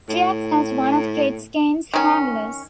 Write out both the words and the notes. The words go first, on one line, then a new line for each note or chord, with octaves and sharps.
She acts as one of Kate Kane's handlers.
A2
D#3 C#4